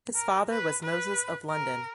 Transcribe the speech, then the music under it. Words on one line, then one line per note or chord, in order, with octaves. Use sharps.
His father was Moses of London.
A#4
B4
B4
A#4